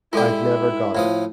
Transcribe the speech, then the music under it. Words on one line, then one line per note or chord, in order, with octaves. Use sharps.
I’ve never got it.
G#3 E4 F4 G4 A4 D5
A2 F3 D#6